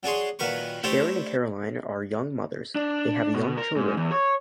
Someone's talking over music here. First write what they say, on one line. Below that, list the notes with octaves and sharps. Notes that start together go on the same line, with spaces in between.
Sharon and Caroline are young mothers, they have young children.
F#3 D4 G#4 C#5 C6
A#2 D#3 F#3 A#4 B4 C#6
A3 D4 E4 G4 C5 C#5
D4
B2
A#4
G#2
E2
C#5